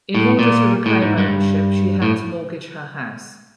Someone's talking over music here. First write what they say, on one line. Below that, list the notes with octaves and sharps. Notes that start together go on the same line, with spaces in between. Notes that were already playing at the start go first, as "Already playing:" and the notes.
In order to reclaim ownership she had to mortgage her house.
A2
A#2
A2
G#2
G2
A2